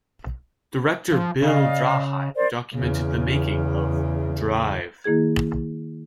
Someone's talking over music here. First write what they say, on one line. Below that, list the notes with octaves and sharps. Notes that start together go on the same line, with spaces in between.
Director Bill Draheim documented the making of "Drive".
F3
C#3 D5 D#5 F5
A#4 C5 D5
E2 C#3
D#3 A#3 E4 G#4 G#6